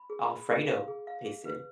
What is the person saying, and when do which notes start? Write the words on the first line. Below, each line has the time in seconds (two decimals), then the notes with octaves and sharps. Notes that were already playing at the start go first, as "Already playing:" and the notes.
Alfredo tasted.
Already playing: B5
0.10 G#4
0.30 B5
0.49 G#4
0.68 F5
0.88 G#4
1.07 F5
1.26 G#4
1.45 B4